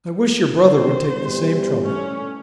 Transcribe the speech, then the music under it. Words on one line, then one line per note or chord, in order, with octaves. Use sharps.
I wish your brother would take the same trouble.
D3 D#3 C5
B2 E3 G3
A3 C#4